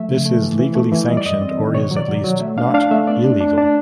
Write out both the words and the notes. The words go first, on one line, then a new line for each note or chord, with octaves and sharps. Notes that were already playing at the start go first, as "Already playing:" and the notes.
This is legally sanctioned or is, at least, not illegal.
Already playing: F3 A3 E5
C#3
A3
E3
E3
A3
E3
G3 D#5
D5
F#2 D#5
C4
D#3
B2 C#5
F#3
D5
F#3
F#3
A3 E5
D4 F5
D4 F5
A3 E5
B3 D5
D4
D4
D4